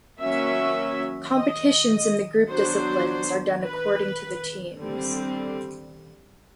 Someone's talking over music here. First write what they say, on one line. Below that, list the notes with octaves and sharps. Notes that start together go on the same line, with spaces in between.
Competitions in the group disciplines are done according to the teams.
F#3 A#3 C#4 E5
D#5
F#3 B3 D4 C5
B4
D3 G3 C4